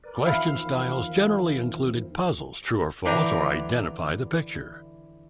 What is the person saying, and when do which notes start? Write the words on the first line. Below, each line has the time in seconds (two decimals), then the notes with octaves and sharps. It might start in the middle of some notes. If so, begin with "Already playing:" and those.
Question styles generally included puzzles, "true or false," or "identify the picture".
0.04 A#4 B4 D5
0.25 E2 D#3 F3 E5 F5 B5
3.05 D3 E3 D4 G5 A#5